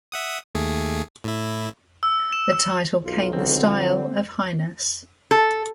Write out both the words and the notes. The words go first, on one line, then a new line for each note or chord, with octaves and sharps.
The title came the style of Highness.
E5 F#5 D#6
D#2 A3 G#4
A2 E4
E6
E7
E6
B1 F4
C#2 D3 C4
F3
A4